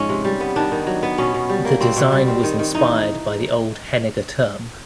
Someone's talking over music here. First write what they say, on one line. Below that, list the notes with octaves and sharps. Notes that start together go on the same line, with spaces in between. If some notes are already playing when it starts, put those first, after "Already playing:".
The design was inspired by the old Henninger Turm.
Already playing: G#2 F3 G#3 C#4
C3
G3
B3
D#3 D4
D#3
F#3
B3
B2 C#4
B2
G3
A#3
B2 C4
B2
G3
C4
D#3
D#3
E3 D#4